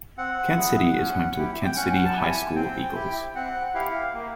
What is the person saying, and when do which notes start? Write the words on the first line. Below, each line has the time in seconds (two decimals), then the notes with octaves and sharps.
Kent City is home to the Kent City High School Eagles.
0.17 C4 F#5
0.57 E4 G#4
0.97 C#4
1.37 E4 G4
1.65 G5
1.76 C#4 F#5
2.05 A5
2.16 E4 G4 G#5
2.55 C4 G5
2.95 E4 G4
3.35 C4 F#5
3.74 E4 G4 F5
4.14 A#3